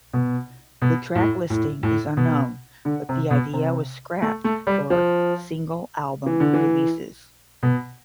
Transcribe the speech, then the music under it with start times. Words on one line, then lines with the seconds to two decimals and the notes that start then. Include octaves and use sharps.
The track listing is unknown, but the idea was scrapped for single album releases.
0.13 B2
0.82 B2
1.15 A2
1.50 A2
1.83 A2
2.17 B2
2.85 D3
3.09 C3
3.31 B2
3.53 C3
4.22 A3
4.44 A3
4.67 G3
4.90 F3
6.26 E3
6.40 D3
6.53 E3
7.63 B2